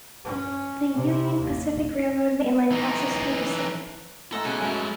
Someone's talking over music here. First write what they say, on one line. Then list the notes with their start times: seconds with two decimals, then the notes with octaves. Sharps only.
The Union Pacific Railroad mainline passes through the city.
0.25 C#4
0.94 C3
1.40 D#2
2.71 E3 D#4
4.32 A2 G#3 A4 F#5 A#5
4.45 B1 C#3 G#5 A5
4.62 F#2 G#3 C#4 E5 A#5 B5